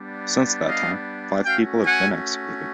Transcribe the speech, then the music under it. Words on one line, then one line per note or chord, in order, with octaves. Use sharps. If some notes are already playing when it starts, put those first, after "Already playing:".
Since that time, five people have been executed.
Already playing: G3 B3 D4
D#5 F5
A3 C#4 F#4 F5 G5
F#5 G#5